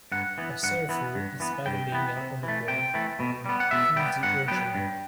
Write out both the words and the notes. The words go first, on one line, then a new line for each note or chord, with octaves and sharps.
A surfer is paddling on a board through the ocean.
G2 F#5
E3 B3
G2 F#5
E3 B3
G2
E3 B3
G2 G5
E3 B3
C3
E3
A3
C3 G5
E3 A3
B2
G3 B3
F#5
B2 E5
G3 B3 G5
G2 F#5
F#3 B3 G5
G2